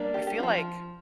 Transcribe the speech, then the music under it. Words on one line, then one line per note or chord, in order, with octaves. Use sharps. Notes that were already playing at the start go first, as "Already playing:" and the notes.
I feel like
Already playing: G3 A#3 D4
G4
G4
F3 C4 F4